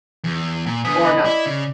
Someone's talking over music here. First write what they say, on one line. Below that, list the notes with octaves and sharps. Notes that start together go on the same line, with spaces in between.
or no?
E2
A#2
D3 B3 G#5 D#6 B6
D#5 B5
E4 D5
C#3